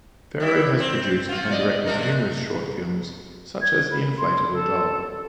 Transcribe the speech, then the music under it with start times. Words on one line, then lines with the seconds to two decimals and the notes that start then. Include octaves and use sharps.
Ferro has produced and directed numerous short films such as The Inflatable Doll.
0.40 G3 E4
0.80 C4
1.29 F4 F#4
1.49 B2 D5 D#5
1.86 C3 G#3 A#4
3.61 G#6
3.91 B5
4.17 C6
4.53 A4